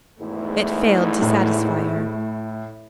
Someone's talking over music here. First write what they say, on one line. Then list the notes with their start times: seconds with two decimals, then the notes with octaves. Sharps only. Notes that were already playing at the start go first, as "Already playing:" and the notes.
It failed to satisfy her.
0.21 G#1 E2 G#2 A3 E4
1.22 A2